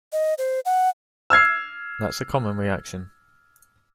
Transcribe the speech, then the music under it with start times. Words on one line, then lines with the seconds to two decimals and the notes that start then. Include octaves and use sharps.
That's a common reaction.
0.13 D#5
0.38 C5
0.65 F#5
1.30 E6 F6 G#6 C7